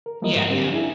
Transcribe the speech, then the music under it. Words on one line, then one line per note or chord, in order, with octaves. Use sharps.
Yeah, yeah.
A#4
E3 F3 G3 A#3 A#4 D#5
G#2 A#4
D3 C4 D4 G4
D4 E4 G#4